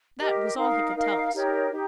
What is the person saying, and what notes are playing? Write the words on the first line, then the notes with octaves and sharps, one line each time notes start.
That was all he could tell us.
G4 A#4 D#5
D#4 A#4 F5
D#4 A#4 F5
D#4 G4 A#4 C#5
D#4 G4